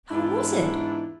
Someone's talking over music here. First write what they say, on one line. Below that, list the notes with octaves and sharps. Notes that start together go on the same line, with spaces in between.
How was it?
E2 G#2 D4 E4 F4